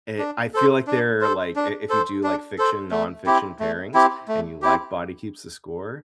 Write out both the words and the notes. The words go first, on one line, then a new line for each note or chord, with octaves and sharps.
Eh, I feel like they're like i if you do like fiction, nonfiction pairings, and you like Body Keeps the Score,
D4
A4 C5
D4
A4 C5
D4
A4 C5
D4
A4 C5
A3
C4 E4 G4
A3
C4 E4 G4
A3
C4 E4 G4